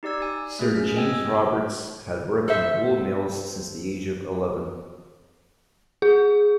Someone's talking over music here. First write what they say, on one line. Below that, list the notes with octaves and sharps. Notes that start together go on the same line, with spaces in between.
Sir James Roberts had worked in wool mills since the age of eleven.
D#4 G4 D5 E6 G#6
G#5
A3 G#4
C#4 F6
D#5 G5 G#5 E6 G#6
E6
A4 C5 E5
G#4